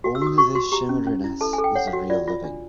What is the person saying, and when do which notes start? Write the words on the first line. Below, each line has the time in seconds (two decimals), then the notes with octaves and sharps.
Only this shimmeriness is the real living.
0.04 F#4
0.15 E6
0.21 F#4
0.27 D#6
0.38 F#4 C#6
0.55 F#4 C6
0.72 G4 A#5
0.89 C#4
1.07 C#4
1.24 E4
1.41 A4 A5
1.53 G#5
1.58 A4
1.64 G5
1.75 C#5 F#5
1.87 F5
1.93 F#4
2.10 F4 D5
2.28 F4
2.44 D4